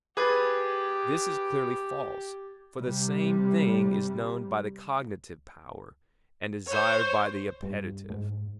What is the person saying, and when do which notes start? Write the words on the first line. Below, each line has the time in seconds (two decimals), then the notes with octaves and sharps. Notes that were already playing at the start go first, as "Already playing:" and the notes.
This is clearly false; for the same thing is known by the cognitive power, and desired by the appetitive.
0.17 G4 G#4 B4 D6 G#6 A6
2.77 C3 G3
6.67 C5 C#5
7.63 G2
8.10 G#2